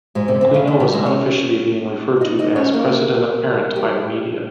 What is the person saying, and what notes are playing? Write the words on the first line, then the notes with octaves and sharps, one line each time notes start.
Aquino was unofficially being referred to as "president-apparent" by the media.
G#2 G#3
C3 C4
C3 C4
C#3 C#4
D#3 D#4
G3 G4
G#3 G#4
C#4 C#5
D#4 D#5
D#4 D#5
C#4 C#5
A#3 A#4
G3 G4